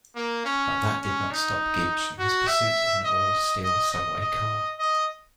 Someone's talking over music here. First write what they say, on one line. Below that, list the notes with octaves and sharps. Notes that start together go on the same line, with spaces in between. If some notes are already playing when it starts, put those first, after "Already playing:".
But that did not stop Gibbs from his pursuit of an all-steel subway car.
A#3
C#4
C#4
D#4
F#4
E5
D#5
D#5
D#5
D#5
D#5